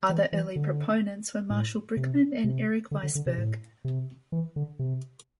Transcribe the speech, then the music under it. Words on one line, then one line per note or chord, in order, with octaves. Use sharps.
Other early proponents were Marshall Brickman and Eric Weissberg.
E3
E3
D3
A2
C3
C3
D3
D3
D3
C3
A2
C3
E3
D3
C3